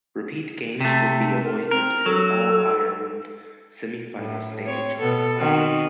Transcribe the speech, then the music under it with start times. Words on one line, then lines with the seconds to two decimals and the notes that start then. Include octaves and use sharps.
Repeat games would be avoided in the All-Ireland semi-final stage.
0.80 C3 A3
1.43 A#4
1.71 C4 A#4
2.06 F#3 A4
4.17 A2
4.66 C4 C#5
4.98 B2 B3 A4
5.37 D#3 C4 F#4